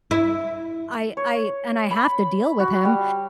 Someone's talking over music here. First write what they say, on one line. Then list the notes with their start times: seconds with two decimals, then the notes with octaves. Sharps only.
I I and I have to deal with him,
0.11 E4
1.17 C#5
1.91 B5
2.60 F#4
2.85 G3